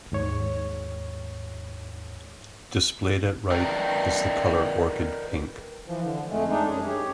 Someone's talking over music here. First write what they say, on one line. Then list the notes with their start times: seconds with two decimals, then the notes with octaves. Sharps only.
Displayed at right is the color orchid pink.
0.12 D#2 G#2 C#5
3.51 A#4 B4 D5 D#5 G5 A#5
5.86 E3 F3
6.02 D3
6.28 F2 G#3 A3
6.48 G#3 D4 D#4
6.69 F#2 C#4 G#4
6.85 G4 C#5